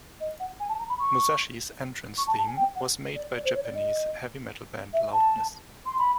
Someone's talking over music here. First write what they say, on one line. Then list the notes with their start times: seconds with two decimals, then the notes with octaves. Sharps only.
Musashi's entrance theme was made by Japanese heavy metal band Loudness.
0.20 D#5
0.40 F#5
0.60 G#5
0.69 A5
0.79 A#5
0.89 B5
0.99 C#6
2.18 C#6
2.27 A5
2.37 A5
2.47 G#5
2.56 G5
2.76 F#5
3.15 D5
3.36 D5
3.45 C5
3.55 C#5
3.64 D5
3.75 D#5
4.93 E5
5.13 A5
5.86 C6
5.98 B5